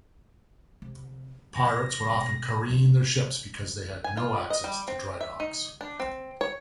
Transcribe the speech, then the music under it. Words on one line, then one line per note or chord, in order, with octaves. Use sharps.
Pirates would often careen their ships because they had no access to drydocks.
C3
E2 A#6
B2
D1 D4
G#5
F4
D#5
G3
C4
E5
D#4
D4
C4
C#5